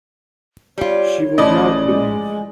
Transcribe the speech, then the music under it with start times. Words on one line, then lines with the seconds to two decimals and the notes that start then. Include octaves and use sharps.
She would not believe.
0.78 G3 F4 C#5
1.38 A1 C#3 E3 F3 D5 D#5
1.88 G#3